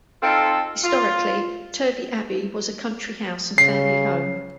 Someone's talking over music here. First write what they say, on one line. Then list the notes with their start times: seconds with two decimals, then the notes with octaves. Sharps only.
Historically, Turvey Abbey was a country house and family home.
0.22 C4 D#4 F4 A4
0.83 F4
3.58 C#3 C7